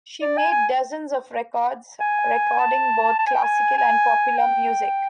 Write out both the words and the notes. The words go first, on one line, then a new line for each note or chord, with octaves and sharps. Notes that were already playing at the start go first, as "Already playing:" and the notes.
She made dozens of records; recording both classical and popular music.
D5
G#5
G#5
G#5
A5
A5
G#5
G5
G#5
G#5
G5